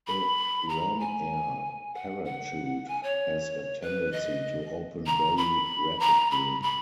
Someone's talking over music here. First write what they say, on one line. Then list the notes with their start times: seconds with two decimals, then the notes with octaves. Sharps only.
A ram-air parachute has a tendency to open very rapidly.
0.07 B5
0.69 A#5
1.00 G#5
1.94 F#5
2.25 F#5
2.88 G#5
3.03 C#5
3.81 B4
4.12 D#5
5.06 A#5
5.37 B5
6.00 A#5
6.31 B5
6.62 B5